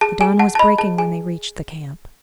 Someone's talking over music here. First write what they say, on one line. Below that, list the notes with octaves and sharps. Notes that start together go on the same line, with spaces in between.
The dawn was breaking when they reached the camp.
G#4 A5
G#4 G#5
F#5 A5
A5
D#5 B5
G#4 A5
G#4 G#5